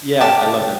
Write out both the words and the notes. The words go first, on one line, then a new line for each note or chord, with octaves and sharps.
yeah, I loved it.
G4 A5